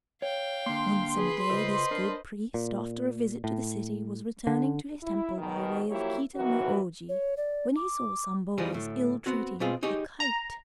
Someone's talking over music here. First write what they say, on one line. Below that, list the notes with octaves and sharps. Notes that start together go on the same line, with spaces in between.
One summer day this good priest, after a visit to the city, was returning to his temple by way of Kita-no-Oji, when he saw some boys ill-treating a kite.
C#5 F5 G5
D3 A#3 C6
G#4 B4
C#3 F4 A4 C5 D#5
D4 A#4
A#2
A2
D3
E4
G#2 B2 D#3
F3 F#3 A#3 E4 G4 C#5
D#3 E3 F#3 B3 F#4
C#5
D5
D6
E3 F3 G3 D#4 G#4
D2 A2
B3 C4 F#4
B2 B3 C4 F4 G#4
D#4 G4 G#4 C#5
A#5